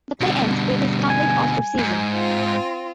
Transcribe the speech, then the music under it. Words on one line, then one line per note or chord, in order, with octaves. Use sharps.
The play ends with his complete ostracism.
B2 D3 G3
G#5
E2 G#2
C4 F4